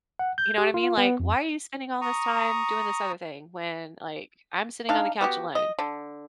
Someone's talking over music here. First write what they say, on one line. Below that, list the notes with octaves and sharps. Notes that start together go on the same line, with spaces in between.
you know what I mean, like, "Why are you spending all this time doing this other thing when, like, I'm sitting on the couch alone?"
F#5
G6
G4
F4
B3
F2
A#5 C#6 D#6
D4 D#4 F5
B3 F#4 G4
D#5
D3